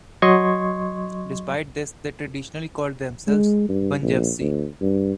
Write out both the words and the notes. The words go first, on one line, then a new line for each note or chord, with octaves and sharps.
Despite this, they traditionally called themselves "Bunjevci".
F#3 D#5 C6 C#6 G#6
G#3
G2
A#1
D2
G2